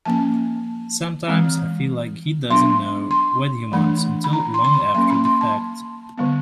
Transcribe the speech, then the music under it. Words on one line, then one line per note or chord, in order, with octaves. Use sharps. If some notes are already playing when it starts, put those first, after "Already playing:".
Sometimes I feel like he doesn’t know what he wants until long after the fact.
F3 A#3 C#4 A5
E3 G#3 C4
F#3 B3 D4 C6
C6
E3 A3 D4 B5
B5
A#5
C6
C6
B5
F#3 A#3 C#4 C6
B5
C6
A5
D3 G3 B3